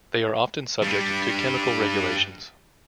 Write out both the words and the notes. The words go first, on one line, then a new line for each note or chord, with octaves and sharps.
They are often subject to chemical regulations.
G2 G3